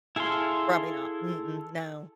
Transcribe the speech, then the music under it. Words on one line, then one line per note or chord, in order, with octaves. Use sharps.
Probably not. Mm-mm, no.
E4 G#4 A4 F5 C6